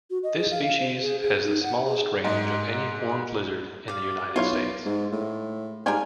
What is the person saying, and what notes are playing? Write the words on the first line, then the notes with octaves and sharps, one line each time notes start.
This species has the smallest range of any horned lizard in the United States.
F#4
D#5
G#4
F5
F5
C5
G#4
G#4
D#4
F#5
G#4
G#2 D#4
D5 F5
B1 E4 F4 C#5 F5
G#2
A2
G#2 G3 D4 F4 A#4 G#5